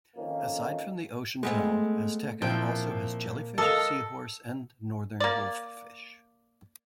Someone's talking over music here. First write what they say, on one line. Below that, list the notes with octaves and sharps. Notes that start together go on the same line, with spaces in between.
Aside from the Ocean Tunnel, Azteca also has jellyfish, seahorse and northern wolffish.
F2 D#3 F3 A#3 C#4
G#3 A3 B3 C4
A#2 F3 C4 E4 G5
A4 A#4 D#5 F5
A#3 D5